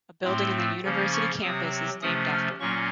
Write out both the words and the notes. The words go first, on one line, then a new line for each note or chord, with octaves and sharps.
A building in the university campus is named after him.
A2 A3 C4 C6
C#3 F3 A#3 C#4
C#6
C3 F#3 C4 D#6
C3 F3 A3 C#4 D#6
F6
A#2 F#3 A#3 C#4 C#6